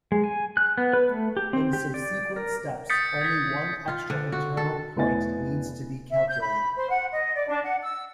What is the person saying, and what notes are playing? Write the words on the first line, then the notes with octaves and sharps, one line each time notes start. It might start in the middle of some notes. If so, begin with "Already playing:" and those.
In subsequent steps, only one extra internal point needs to be calculated.
G#3
G#5
F#6
B3
B4
A3
G4
C4
G4
D5
A#4
D#6 G6 A6 B6 C#7
G#6 B6
F4
D3
F#4
A4
F1 B3 E4 D#5 G#5 A6
E5
G6
B5
C5
F#5
D#5
D5
D4
F#5
E6